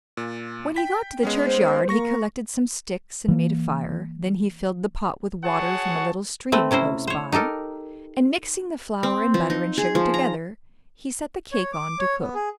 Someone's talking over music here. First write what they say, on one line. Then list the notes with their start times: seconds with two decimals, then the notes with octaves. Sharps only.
When he got to the churchyard he collected some sticks and made a fire; then he filled the pot with water from a little stream close by, and mixing the flour and butter and sugar together, he set the cake on to cook.
0.17 A#2
0.76 G5 B6
1.23 G#3 B3 C#4
1.45 C5
1.89 A#3 C#6 A#6
3.28 E3 A#3
5.44 F#4 G#4 C#5 F#5 A5
6.52 A3 C4 B4
6.71 C3 C#4 E4 C5
7.07 C5 C#5
7.32 D#4 G4 A4 A#4
9.03 C4
9.34 F3
9.50 D#4
9.78 G#4
9.95 F3
10.14 A#5
11.52 C#5
11.73 D6
11.99 C#5
12.20 B3
12.35 G#4